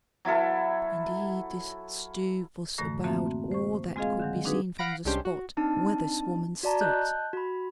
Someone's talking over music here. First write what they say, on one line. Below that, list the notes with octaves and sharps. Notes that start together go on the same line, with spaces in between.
Indeed, this stoop was about all that could be seen from the spot where this woman stood.
F#3 E4 F4 A4
F#2 A2 D3 E3 A3 A#6
A3 A#3 C4 F#4 E5 A5
C5 C#6
G#3 C4 F4 G#4 D#5 F5
D3 D#3 F#3
C4 D4 D#4 F#4 G#4 B4
F5 F#5 B5 A#6 D7
C2 G#3 C#4 D4 G4 C5
F#4
C4 D4 D#4 A5
F#4 D5 A5 A#5
D#5 A5 F#6 G6
F#4 B5